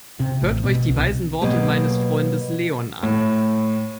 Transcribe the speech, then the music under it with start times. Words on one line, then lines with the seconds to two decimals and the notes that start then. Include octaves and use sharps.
Hört euch die weisen Worte meines Freundes Leon an!
0.20 C3
0.42 A1
0.64 B2
0.89 C2
1.41 B2 F#3 A#3 G4 B4
3.03 A2